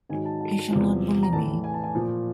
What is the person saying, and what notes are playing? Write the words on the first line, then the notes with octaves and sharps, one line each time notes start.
He shall not bully me.
G#2 D#3 F#3 G#5
A5
A5
E2 C3 F3
A#5
A2 E3 A5
G#5
A5
G#5
A#2 F3